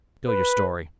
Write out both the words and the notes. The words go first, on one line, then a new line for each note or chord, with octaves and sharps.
"Spill your story."
B4